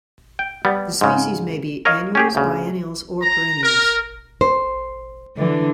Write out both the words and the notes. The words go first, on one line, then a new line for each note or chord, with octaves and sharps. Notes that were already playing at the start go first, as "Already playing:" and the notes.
The species may be annuals, biennials or perennials.
G5
G3 B3
G#2 C#3
A#4 C#5 D#5 F5
C#4 G4 G#4
D2 C#3
A#5
A#4
C5
D3 E3 D4